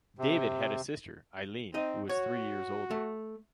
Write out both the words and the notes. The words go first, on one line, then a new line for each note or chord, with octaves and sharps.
David had a sister, Eileen, who was three years older.
C3
C4 D#4 D#5
F#4 C#5
A3